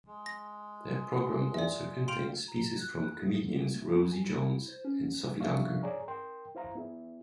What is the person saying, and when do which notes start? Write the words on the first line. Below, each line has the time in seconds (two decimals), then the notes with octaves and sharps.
The programme also contains pieces from comedians Rosie Jones and Sophie Dunker.
0.07 G#3
0.26 A#6
1.54 D5 E5
2.08 F5 G5 C6 D7 F7
2.48 A#5
2.77 F#6
2.96 F#6
3.20 G#4
3.43 D3
3.74 A3
3.92 B3
4.12 G#5
4.24 E4
4.68 C5
4.85 C#4
5.40 F3 B3 D4 E5 F5 C#6
5.83 G#4 C#5 D5 G#5 A#5
6.08 A#4 G5 C6
6.55 E4 C5 F5 A#5
6.75 B3 E4 G#4